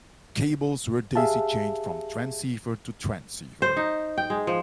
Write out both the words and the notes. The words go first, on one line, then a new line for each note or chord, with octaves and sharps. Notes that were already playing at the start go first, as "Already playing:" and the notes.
Cables were daisy-chained from transceiver to transceiver.
G4 G#4 E5 F5 A5
C5
D#4
G5
G#3
F3